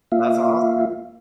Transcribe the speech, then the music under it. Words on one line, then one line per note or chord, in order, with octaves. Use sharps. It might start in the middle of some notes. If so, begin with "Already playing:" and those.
That's awesome.
A#3 F4 E5 F5